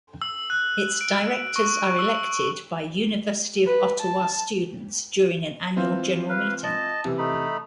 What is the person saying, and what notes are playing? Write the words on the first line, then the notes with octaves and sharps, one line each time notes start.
Its directors are elected by University of Ottawa students during an annual general meeting.
E6
F#6
D7
C#6
E6
B4
A5
E3 C4 F4
B4 F5
D#5 A5
C3 E3
A3 D#4 B5